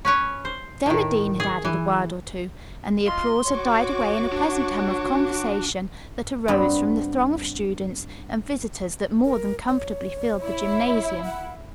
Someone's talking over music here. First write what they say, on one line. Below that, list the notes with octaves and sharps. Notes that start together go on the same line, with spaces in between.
Then the dean had added a word or two, and the applause had died away in a pleasant hum of conversation that arose from the throng of students and visitors that more than comfortably filled the gymnasium.
C#4 B4 C#5
C5
A2 D#3
G#4
E3
F4 D#5 F5 C6
F#4 C#5 C#6 D6
D4
G2 B3 C4
A#4
C#5
E4
F#5